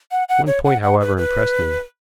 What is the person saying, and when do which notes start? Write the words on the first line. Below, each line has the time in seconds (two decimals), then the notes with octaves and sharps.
One point, however, impressed me.
0.11 F#5
0.29 F#5
0.47 C#5
0.65 F#5
0.83 F#5
1.01 B4
1.17 B4